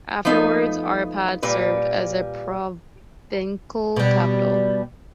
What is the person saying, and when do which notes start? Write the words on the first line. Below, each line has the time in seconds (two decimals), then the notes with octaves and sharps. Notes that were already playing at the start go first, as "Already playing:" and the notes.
Afterward Arpad served as a provincial capital.
0.25 F3 A3 B3 D#4
1.43 A#2 G3 B4
3.96 B2 G3